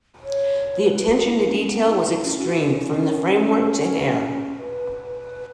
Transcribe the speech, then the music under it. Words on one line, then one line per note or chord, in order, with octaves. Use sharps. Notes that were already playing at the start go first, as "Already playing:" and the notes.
The attention to detail was extreme, from the framework to hair.
C#5
C#5
B4
F#4
E4
C#4
B3
E4
E4
C#4
F#4
E4
C#4
C#4
C#4
B4